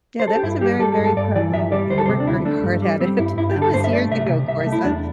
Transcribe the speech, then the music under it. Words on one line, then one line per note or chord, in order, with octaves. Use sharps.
Yeah, that was a very, very proud moment, I worked very hard at it. That was years ago, ‘course, uh,
C5
A4
G4
G2 E4
G3 G4
G3 A4
A4
G2
A4
G2 D5
E3 D5
G2 E5
G3 D5
D2 C5
A4
C5
C3
D4
D2 E4
A3 D4
G2
G3
G3 C4
G2 E4
G2 E4
G4
D3
A4
G2 C5
E5
A3 D5
C2 E5
C3
C2 E5
E5
A3
E4
E2 D4